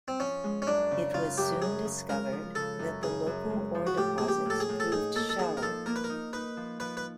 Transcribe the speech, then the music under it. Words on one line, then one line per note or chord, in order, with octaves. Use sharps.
It was soon discovered that the local ore deposits proved shallow.
C4
F3 C#4
G#3
C#4
F#2 D4
C#3
C#3 F4
F#2 G4
F#2 G#4
C#3
G#3 A#4
F3
C#3 A4
F#2
C#3 G#4
F#2
G#3
F3
F#4
A2 G4
A#3 G#4
G4
A2 A4
G#4
A2
A4
D#4 G#4
A#3 A4
A4
F3 G#4
A#4
F3 A4
A#3 A#4
B4
A#4
D#4
D#4 B4
F3
F3 B4
B4